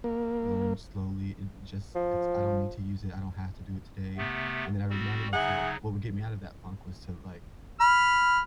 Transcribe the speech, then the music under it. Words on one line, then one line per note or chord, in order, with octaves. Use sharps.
learn slowly it just it's I don't need to use it, I don't have to do it today." And then I reminded myself what would get me out of that funk was to like,
A#3
F3
C3 A3 B3
G3 C4 F#4
C#3 F#3 D#4 G#4 E5 F#5
B5 F6